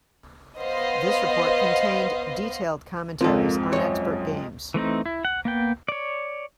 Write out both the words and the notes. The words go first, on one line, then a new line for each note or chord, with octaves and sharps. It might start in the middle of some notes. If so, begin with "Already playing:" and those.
This report contained detailed commentaries on expert games.
B3 C5 D#5 F5
F2 G#2 F3 A#3 C4 F4 A4
F#2 C#5
E3 A3 C4 D#4
E4
F#5
A#3 B3 G5
C#5 D5